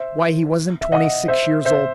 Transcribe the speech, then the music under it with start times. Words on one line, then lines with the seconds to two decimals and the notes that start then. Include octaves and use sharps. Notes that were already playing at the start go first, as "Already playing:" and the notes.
Why, he wasn't twenty-six years old.
Already playing: C5 E5
0.81 E5
0.92 D#5 F#5
1.28 C5 E5
1.65 C5 E5